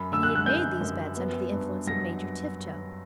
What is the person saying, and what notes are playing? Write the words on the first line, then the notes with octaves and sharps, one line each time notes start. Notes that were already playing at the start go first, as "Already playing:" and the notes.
And he had made these bets under the influence of Major Tifto.
Already playing: F#2 B5
D3 E6
F#6
F#6
F#2 G6
F#2
B3
G2
F#3 A#6